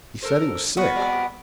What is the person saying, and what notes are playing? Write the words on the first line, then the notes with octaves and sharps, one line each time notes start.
He said he was sick.
A4 A#4 C5
B3 F4 F#4
G3 C4 D5